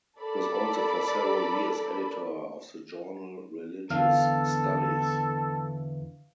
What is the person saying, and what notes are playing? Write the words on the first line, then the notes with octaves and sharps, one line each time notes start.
He was also for several years editor of the journal Religious Studies.
A4 A#4 D5 B5
E2 D3 E3 A4 F5